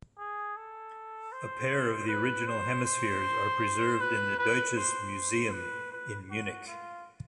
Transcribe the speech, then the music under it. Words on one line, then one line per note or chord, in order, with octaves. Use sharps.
A pair of the original hemispheres are preserved in the Deutsches Museum in Munich.
G#4
A4
C5
B4
C5
C5
B4
B4
C5
B4
B4
F#4
F4